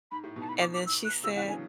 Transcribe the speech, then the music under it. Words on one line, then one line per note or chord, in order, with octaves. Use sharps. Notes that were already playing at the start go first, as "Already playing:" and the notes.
and then she said,
G#2 B5
A2
G#2 B2 A5
B5
D6
D6
E6
F#6
A2 C#3 E6
C#3 E3 F#5
D3 F#3 G#5